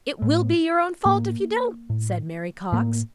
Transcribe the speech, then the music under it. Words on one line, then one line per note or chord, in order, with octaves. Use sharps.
"It will be your own fault if you don't," said Mary Cox.
A2
A2 A#3
A2
A2 A#3